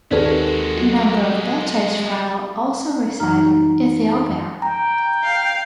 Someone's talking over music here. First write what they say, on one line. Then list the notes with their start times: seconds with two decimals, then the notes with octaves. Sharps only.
A number of Beta Israel also reside in Ethiopia.
0.11 D#2 G#3 C4 F#4 G#4 A4 B4 D5
0.76 F#3
3.20 F#2 E3 D#4 A#5 F6
4.62 G5 A#5
5.24 F5